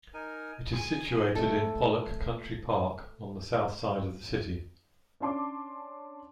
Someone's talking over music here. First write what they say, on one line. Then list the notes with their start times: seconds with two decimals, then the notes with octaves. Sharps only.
It is situated in Pollok Country Park on the south side of the city.
0.14 D#4 A#4 G#5
0.73 G#4 G#5
1.35 A3 A4
5.20 C#4 D4 A5 C6 D6